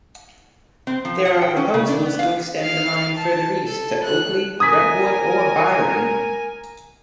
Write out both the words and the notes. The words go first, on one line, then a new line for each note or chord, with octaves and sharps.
There are proposals to extend the line further east to Oakley, Brentwood, or Byron.
C4
F3
F#5
G5
C#4
C#3
D4
B3
F5
F5
A5
A4
F#6
A#4 G#5 D#6 G#6 B6